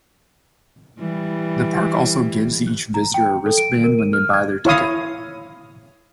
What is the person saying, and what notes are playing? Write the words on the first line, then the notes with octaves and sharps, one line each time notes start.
The park also gives each visitor a wristband when they buy their ticket.
E3 G3
A#5
G5
A4
D7
A#4
D#7
F6
G#6
E4 C#5 F5 D#6